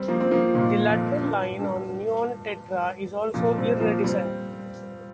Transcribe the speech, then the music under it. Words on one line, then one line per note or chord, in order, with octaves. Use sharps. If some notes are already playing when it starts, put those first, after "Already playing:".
The lateral line on the Neon tetra is also iridescent.
Already playing: G3 C4
F3 A#3
C4
F3 A#3
A#2 D#3
F2
G2
G2
F2 A#2
G3 C4
F3 A#3
G3 C4